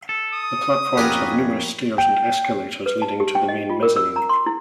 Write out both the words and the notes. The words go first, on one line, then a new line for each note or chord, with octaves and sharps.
The platforms have numerous stairs and escalators leading to the main mezzanine.
A4
D#6
F2 C#4 F#4 G4 A#4 B4
G5
B4
A5
G4
G5
D#5
F4
A#4
E6
A#5
C6
E4